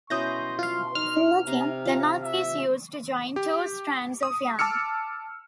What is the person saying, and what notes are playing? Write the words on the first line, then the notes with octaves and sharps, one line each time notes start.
In knitting, the knot is used to join two strands of yarn.
B2 C#4 E4 C6 D#6 G6 A#6
F4 F5
D#4 F6
C3 A#5 C6
F4 A5 A#5
E5
G4
D#6
A5 D6 E6 F6 C#7